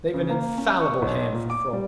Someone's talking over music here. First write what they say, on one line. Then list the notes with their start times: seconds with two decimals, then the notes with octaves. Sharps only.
They've an infallible hand for frauds.
0.14 C#3
0.30 A#3
0.58 C#4
0.80 C#6
1.02 B1
1.33 A#2
1.50 D6
1.73 G3